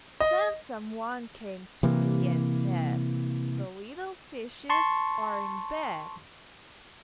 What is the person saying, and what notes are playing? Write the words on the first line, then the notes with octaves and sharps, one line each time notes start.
Then some one came to me and said, "The little fishes are in bed."
D#5
C3 E3 A#3
A5 C6 C#6